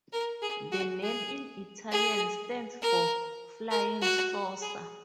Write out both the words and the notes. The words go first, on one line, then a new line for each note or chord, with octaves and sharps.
The name in Italian stands for "Flying Saucer".
A#4
G#4
F#4
G#4
G#4
A#4
A#4
F#4
G#4